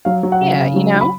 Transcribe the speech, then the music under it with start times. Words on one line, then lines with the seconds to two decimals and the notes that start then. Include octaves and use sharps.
Yeah, you know?
0.05 F#3 F5
0.23 F#3
0.32 F#5
0.41 C#3
0.59 C#3
0.76 F#3
0.95 F#3
1.01 B5